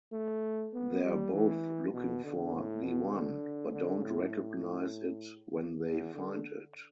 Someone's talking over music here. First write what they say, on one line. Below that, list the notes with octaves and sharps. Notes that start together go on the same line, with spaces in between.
They're both looking for 'The One', but don't recognize it when they find it.
A3
B3
G3
E3
B2
D3
A2
B2
D3
D3
A2
E2
D3